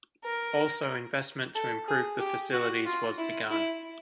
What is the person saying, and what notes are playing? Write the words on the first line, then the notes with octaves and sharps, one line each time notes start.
Also investment to improve the facilities was begun.
A#4
A4
G#4
G4
F#4
F4
E4
E4